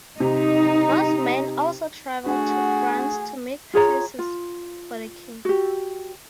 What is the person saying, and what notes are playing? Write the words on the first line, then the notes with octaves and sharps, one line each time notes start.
Mosman also travelled to France to make purchases for the king.
C3 D#4
A3 D4 F#4 G#4 F#5 G#5
F4 G#4 C#5 A#5
F4
F#4 G4